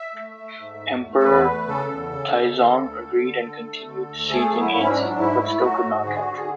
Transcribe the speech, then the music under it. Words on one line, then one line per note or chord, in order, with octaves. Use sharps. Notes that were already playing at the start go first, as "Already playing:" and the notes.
Emperor Taizong agreed and continued sieging Ansi, but still could not capture it.
Already playing: E5
A3
A3
G#2
E2
A3
A4
E2 B4
A3
C#3 A4
E2
C#3
C#3
D3
D2
D3
D3
D3
A3
D3
D2
A3 G#4
F#3
E4
G#2
C#4
D4
F#3
G#2 E4
A3
F#3 F#4
G#2
D3 G#4
F#4
D3
G#4